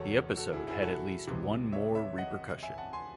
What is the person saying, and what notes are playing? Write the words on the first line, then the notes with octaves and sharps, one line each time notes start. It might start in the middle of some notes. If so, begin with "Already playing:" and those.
The episode had at least one more repercussion.
Already playing: E1 E2 C#3 F#4 A4 C#5
F#4 A4
E4 G#4
E4 G#4
F#4 A4
C#2 C3 E3
C#5 E5
C#5 E5
D#5 F#5
E5 G#5
F#5 A5
G#5 C6